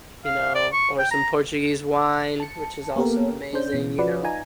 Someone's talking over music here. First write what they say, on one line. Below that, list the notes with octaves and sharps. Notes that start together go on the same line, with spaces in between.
you know, or some Portuguese wine, which is also amazing, you know?
F5
D5
C#6
G5
A#5
A5 C#7
A#3 B3 G4 A4 A#4
C#4 D4 C5 G6
B2 E3
F3 F#4 B4 D5
D#4 F4 G#5 A#5